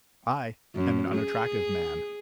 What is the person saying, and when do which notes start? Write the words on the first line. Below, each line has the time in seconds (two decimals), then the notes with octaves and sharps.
I am an unattractive man.
0.75 F#2
1.15 G#4